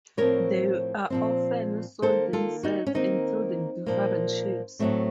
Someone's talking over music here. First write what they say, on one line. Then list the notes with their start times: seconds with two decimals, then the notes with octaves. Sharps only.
They are often sold in sets, including different shapes.
0.17 A2 F3 C4 A#4 C#5
1.10 A#2 F3 C4
2.02 D#3 A#3 A4 C5
2.33 F4 A4
2.63 D#4 F#4
2.87 C#4
2.94 D#3 F#3 A#3 C4 D#4
3.86 A#2 F3 A#3
4.79 A2 F#3 A3 C4